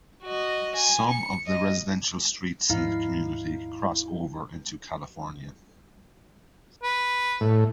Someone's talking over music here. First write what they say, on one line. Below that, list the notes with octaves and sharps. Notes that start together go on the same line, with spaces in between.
Some of the residential streets in the community cross over into California.
F#4 D#5
G#5
C#7
D#5
D#2 G#2 F3 D#4 E4 F5
B4
A2